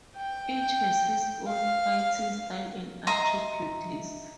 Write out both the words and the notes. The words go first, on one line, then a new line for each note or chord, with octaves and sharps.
Each has his own fighting style and attributes.
G5
F5
D#5 E5 A#5 C6